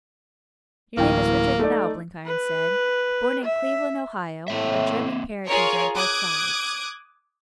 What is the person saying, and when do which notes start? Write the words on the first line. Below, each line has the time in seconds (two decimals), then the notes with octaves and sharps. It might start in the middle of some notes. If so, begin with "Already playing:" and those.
'Your name is Richard Hanau,' Blenkiron said, 'born in Cleveland, Ohio, of German parentage on both sides.
0.97 D1 E3 A#3 G5
1.59 A3 D#4 D5
2.25 B4
3.44 E5
4.48 A2 A#3 C4 E5
5.47 F4 G#4 A#4 C#5
5.95 D6 D#6 F#6 G#6